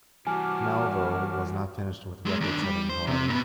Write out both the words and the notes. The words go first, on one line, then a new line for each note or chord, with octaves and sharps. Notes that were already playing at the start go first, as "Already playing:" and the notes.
Melville was not finished with record-setting, however.
E3 G3 F#4 G#5 A5 D6 F6
F#3 G#3
D#2 D4
G3
C5
C3 C4
A#2 B3